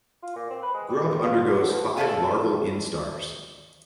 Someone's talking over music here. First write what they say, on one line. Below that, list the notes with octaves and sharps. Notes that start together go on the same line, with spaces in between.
Grub undergoes five larval instars.
F4
A#2
C4
B4
G#3
G3
D#3
F4
D3
F#3
D2
A4 D5 E5 F5 G#5 A5